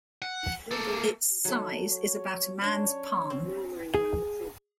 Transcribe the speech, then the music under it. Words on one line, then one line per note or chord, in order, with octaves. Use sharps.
Its size is about a man's palm.
F#5
A#3 A4
F#3 A3 D#4
C#5
C#4 D4 C#5
C4
G#4